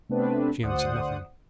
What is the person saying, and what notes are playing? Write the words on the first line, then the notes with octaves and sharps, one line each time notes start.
She answered nothing.
C3 A3 B3 C4 D4 B4
D2 C5 D5 F#5 D#6